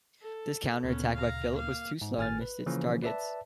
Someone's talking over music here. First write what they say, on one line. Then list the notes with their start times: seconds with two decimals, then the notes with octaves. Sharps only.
This counter attack by Philip was too slow and missed its targets.
0.22 A4
0.83 D2 A#2 C#3 B3 C#4
1.14 F5 A#5
1.54 A#3 F5
2.01 G#2
2.18 G#1 G#5 F6 A6
2.41 B4
2.66 C#3 E3 F3 A#3 C#4
3.02 B4 D5 E5 A5